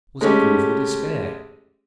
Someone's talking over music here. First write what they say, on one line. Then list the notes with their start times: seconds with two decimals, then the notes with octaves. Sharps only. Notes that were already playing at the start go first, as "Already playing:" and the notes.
Was it grief or despair?
0.21 G#3 A3 C#4 G4